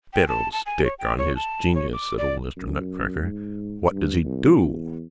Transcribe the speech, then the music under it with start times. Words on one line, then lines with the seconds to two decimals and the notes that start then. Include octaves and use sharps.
"Fiddlestick on his genius!" said old Mr. Nutcracker; "what does he DO?"
0.13 G5
0.28 A5
0.53 A5
0.66 G#5
0.84 C#5
0.99 G5
1.18 C#5
1.36 A5
1.75 C#5
1.93 D6
2.18 D5
2.57 F#2
3.19 G#2
3.92 G2
4.25 C2
4.61 E2